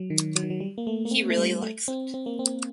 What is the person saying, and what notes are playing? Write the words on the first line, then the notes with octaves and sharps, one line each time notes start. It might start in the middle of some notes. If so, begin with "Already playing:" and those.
He really likes it.
Already playing: F#3
D#3
F#3
D#3
F#3
G3
A#3
A3
A#3
C4
A3
G3
A3
C4
C4
A#3
C4